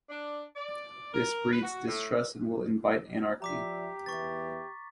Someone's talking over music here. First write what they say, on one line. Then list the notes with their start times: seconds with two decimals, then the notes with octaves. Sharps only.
This breeds distrust and will invite anarchy.
0.09 D4
0.55 D5
1.12 A#4
1.51 B4
1.63 F#4
1.87 A2
3.42 F3 G4 D5 E5 A#5 D6 B6
4.06 E2 B4 E5 C#6 A6